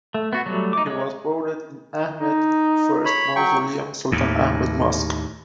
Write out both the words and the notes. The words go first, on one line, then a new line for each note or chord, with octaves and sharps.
He was buried in Ahmed I Mausoleum, Sultan Ahmed Mosque.
A3
B3 F#4
F#3 G3 A3
D#4 D6
G#3 C#5
D#4
C#5 B5
F#3 G5 C#6
D#2 A2